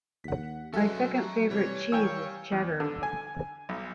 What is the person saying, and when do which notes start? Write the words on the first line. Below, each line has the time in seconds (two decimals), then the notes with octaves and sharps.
My second favourite cheese is cheddar.
0.24 D#2 F#5 B6
0.74 F#3 G#3 C#4 A4 B4 E5
1.16 F#4 A#5
1.50 C3 E3 G3 A3 C#5
1.92 E3 G3 A#4 C#5 F5 G5 G#5 E6
2.52 E2
2.80 D3
3.03 G#5
3.69 B1